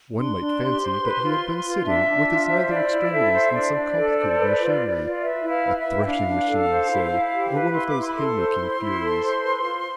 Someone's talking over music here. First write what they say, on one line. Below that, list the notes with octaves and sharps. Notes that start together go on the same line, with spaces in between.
One might fancy that he had been sitting with his nether extremities in some complicated machinery, a threshing-machine, say, or one of those hay-making furies.
D4 C6
D4
G4
C5
B4
F4
B4
F4
D4 E5
D4
F4
C5
E4 D5
E4
A4 E5
C5
D4 D5
D4
A4
C5
B4
F4
B4
F4
B4 E5
E4
F5
B4
E5
E4
G5
D4 F5
D4
A4
C5
E4
E4
G4
B4
E4 C6
D6
E4
C6
B5
A4 C6
C5
E4
E4
A4
C5
B4
F4